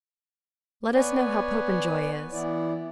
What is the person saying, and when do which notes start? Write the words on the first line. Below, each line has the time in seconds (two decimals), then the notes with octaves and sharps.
"Let us know how Popenjoy is."
0.95 B3 B4 C#5 D5 G#5
2.32 E3 B3 E4 D5